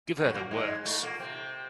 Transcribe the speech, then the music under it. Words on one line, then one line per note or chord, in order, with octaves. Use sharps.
Give her the works.
D3
F#2 F#3
A#2 A#3
G#2 G#3
A2 A3
A#2 A#3
C3 C4